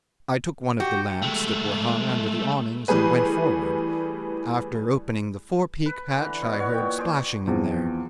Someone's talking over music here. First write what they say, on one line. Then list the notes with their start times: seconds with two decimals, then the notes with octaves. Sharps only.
I took one of the lamps that were hung under the awnings and went forward. After opening the forepeak hatch I heard splashing in there.
0.80 F#4 G4
1.22 G#3 A3
2.88 E3 G3 A3 G#4 B4
5.86 B4
6.17 D3 E3
6.42 B2
6.59 B3 C#5 F#5
6.74 A#2 G5
6.99 G#4 C5 D5
7.47 E2 F3 C4